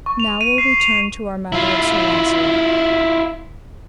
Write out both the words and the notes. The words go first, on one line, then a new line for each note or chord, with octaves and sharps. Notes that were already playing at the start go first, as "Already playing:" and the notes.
Now will we turn to our matter of Sir Launcelot.
C#6
F7
D#7
C7
F7
E4 F4